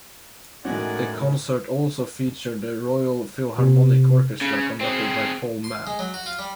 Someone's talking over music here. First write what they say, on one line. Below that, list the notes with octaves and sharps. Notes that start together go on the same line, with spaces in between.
The concert also featured the Royal Philharmonic Orchestra conducted by Paul Mann.
A2 D#3 G#3 C#4 F#4 D5 F#5 G#5
C3
C#3
C4 G#4
C6
G#3
F#3
F#4
F4
G3